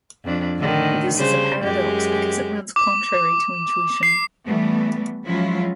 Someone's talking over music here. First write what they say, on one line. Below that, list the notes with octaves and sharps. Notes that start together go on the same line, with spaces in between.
This is a "paradox" because it runs contrary to intuition.
F2 D4
A2 D3 D#3
C#3 G3 C5
F#2 G#3 G4
D6
C7
E3 G3 A3 B3
F3 F#3 G#3 C#4 E4 F4